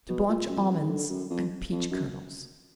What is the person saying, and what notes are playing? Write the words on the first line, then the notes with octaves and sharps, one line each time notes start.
To Blanch Almonds and Peach Kernels.
B2
A#2
F#2
F2
F#2
G#2
D3
F#2
F2
F2
F#2